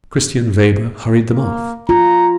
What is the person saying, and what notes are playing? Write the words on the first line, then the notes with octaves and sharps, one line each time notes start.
Christian Weber hurried them off.
A#3
F4 A#5